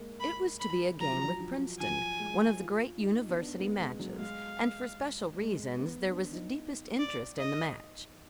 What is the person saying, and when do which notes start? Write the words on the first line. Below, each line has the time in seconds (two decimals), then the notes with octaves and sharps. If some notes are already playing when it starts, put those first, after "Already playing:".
It was to be a game with Princeton, one of the great University matches, and for special reasons there was the deepest interest in the match.
Already playing: G#3 A#3
0.20 B5
0.60 B5
1.00 F#3 A#5
1.12 F3
1.24 F#3
1.40 F3
1.79 F3 G#5
2.19 G#3
2.59 F4
3.00 D#4
3.29 B3
3.39 D4
3.59 B3
3.80 G#3
3.99 F#3
4.19 G#3 F5
5.39 G#3
5.79 B3
6.05 D4
6.32 D#4
6.99 D5
7.39 D#5